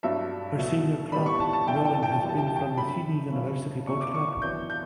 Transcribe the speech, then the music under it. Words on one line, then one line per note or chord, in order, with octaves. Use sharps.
Her senior club rowing has been from the Sydney University Boat Club.
G2 F#3 A3 D4 E5
B2 F#3 A3
A2 G3 B3 D4 B5
C#6
A5
A5
G2 E3 A3 D4 G5
A5
G5
A5
G5
A5
F#2 E3 G3 G5
A5
G5
A5
G5
F#2 D3 A3 B5
F#2 C#3 F#3 A3 C#4
B2 A3 D4 C#6
D6
C#6
C#6
F#2 E3 B3 D4 G6
G6